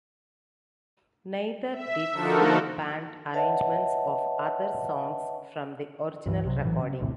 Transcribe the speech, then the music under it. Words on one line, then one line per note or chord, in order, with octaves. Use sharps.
Neither did full-band arrangements of other songs from the original recording.
E5
D3 F3 D#4 F#4 A4 A#4
B4 C#5 D#5 E5 F#5 A5
C#2 G2 E3
C2 C3 F#3
A#1 A2 E3 F#3
C#3
A#1 D#2 A2 C3